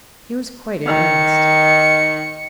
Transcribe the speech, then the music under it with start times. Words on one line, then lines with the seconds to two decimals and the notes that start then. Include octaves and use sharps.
"He was quite in earnest."
0.87 D#3 C#7